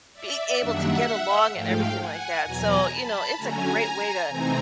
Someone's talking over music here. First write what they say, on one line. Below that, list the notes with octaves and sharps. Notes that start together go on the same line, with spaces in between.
being able to get along and everything like that so, you know, it's a great way to
D5 E5
F#2 D#3 G3 A#3 D4 E5 F#5
G#2 F3 A3 F5 G5
F#5 G#5
E2 B2 F#3 G#5 A#5
A5 B5
D3 F#3 A3 C#4 G#5 A#5
C3 E3 A3 C4 D#4 G#5 A#5